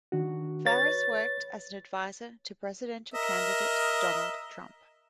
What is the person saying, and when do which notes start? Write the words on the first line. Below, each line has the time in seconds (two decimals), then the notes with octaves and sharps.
Phares worked as an advisor to presidential candidate Donald Trump.
0.12 D#3 D4 F#4
0.66 B4 C#5 A6
3.14 A#4 D#5 E5